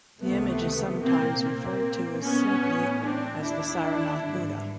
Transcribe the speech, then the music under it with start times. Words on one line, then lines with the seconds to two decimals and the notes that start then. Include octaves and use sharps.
The image is sometimes referred to as simply as the Saranath Buddha.
0.21 C#2 C3 D#3 A3 B3
1.01 C2 A#2 A#3 C4
1.42 A#3 C4
1.82 A#1 A#2
2.22 B3 C#4
2.63 A1 A2 E3
3.02 C4 D4
3.42 D#2 D#3 D4 E4
4.23 G#1 G2 D3